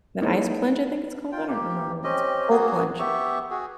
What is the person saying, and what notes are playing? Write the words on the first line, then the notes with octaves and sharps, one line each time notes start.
An ice plunge, I think it's called, I don't remember what it's cold plunge.
G#3 A#3 D#4 E4 B4 C#5
F4 G5
A#3 G4
C4 C#4 G4 D#5
A#3 B3 F#4 G#4
B3 G4 E5 C#6
F#4 G#4